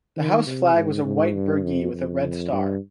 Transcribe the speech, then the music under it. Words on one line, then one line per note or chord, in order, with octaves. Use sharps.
The house flag was a white burgee with a red star.
D#3
C3
G#2
G#2
G2
F2
F2
G2